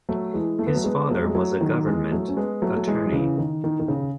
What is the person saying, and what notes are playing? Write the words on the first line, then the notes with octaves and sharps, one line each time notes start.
His father was a government attorney.
F#3 A3
E3 G#3
A3
B3
F#3 A3
G#3 B3
F#3 A3
G#3
F#3 A3
D#3 F#3
E3 G#3
F#3 A3
C#4
G#3 B3
F#3 A3
A3
E3 G#3
F#3
C#3 E3
D#3
D#3
D#3
C#3